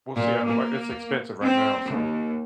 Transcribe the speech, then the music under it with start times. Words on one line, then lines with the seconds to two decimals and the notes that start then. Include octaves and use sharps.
we'll see, I like, it's expensive right now, so
0.17 A#2
0.49 A#3
1.43 C4
1.89 D#2